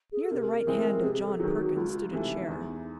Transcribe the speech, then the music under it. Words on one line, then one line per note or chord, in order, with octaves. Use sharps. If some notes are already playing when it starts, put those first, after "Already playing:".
Near the right hand of John Perkins stood a chair.
G#4
A4
C3 A#4
E3 G#3 C4
C3 G#4
A4
D#3 F#3 G#4
F#4
C#2 F4
F#4
F4
E4
C3 E3 A3 D#4
E2